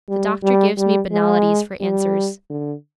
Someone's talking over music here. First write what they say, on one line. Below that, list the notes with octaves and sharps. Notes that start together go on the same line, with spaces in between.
The doctor gives me banalities for answers.
G3
G3
G3
G#3
G3
D3